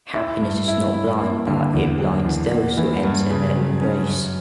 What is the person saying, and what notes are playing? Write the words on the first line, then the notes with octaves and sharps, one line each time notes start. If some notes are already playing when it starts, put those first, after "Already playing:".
Happiness is not blind, but it blinds those who enter her embrace.
E4
G2
E4
E4
A#3
D3
E2
F#3
E2
A#3
E3
G2
C#3
F#3
C#4
F#2